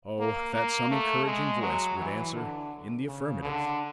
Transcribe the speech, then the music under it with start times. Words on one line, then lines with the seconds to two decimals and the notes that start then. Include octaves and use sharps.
Oh, that some encouraging voice would answer in the affirmative!
0.19 A#3
0.54 A#3
0.90 A3
1.26 G#3
1.62 F#3
1.99 E3
2.34 D3
3.06 C#3
3.42 D3